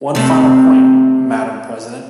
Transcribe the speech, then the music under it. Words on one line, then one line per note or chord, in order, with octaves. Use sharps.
One final point, Madam President.
C3 A3